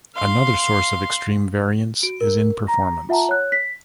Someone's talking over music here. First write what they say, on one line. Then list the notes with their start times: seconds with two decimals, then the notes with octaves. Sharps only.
Another source of extreme variance is in performance.
0.15 F5 C6
2.03 F#4 D7
2.21 A#4
2.67 A#5 A#6
3.09 F4 E5 F#5 A5 A#5
3.29 C#5 F#6
3.52 B6